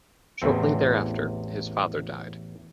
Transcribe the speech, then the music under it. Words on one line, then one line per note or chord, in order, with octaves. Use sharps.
Shortly thereafter, his father died.
A1 E2 C4